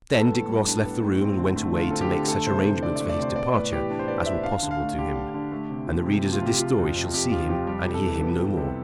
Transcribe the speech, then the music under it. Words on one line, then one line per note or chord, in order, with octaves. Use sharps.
Then Dick Ross left the room and went away to make such arrangements for his departure as were possible to him, and the readers of this story shall see him and hear him no more.
B3 A4
A2
G3
D4
B3
A2
C4
D3
A3
D3 F4
C4 A4
G4
D3
A3 A4
C3 C5
E3 C5
D4 D5
A3 D5
D5
C3 C5
B3 D5
A2 B4
E3 G4
D4
C5
B3 D5
A2 E5
D4 F5
D3
F5
A3
D3 G4
D4
D3
A3
C3
F3
C3
A3
F4
C3 G4
F3 F4
F2
C3
F2 G4
F3 F4
F2 G4
G3 G4
C3
A4
E3
B3
G3
C3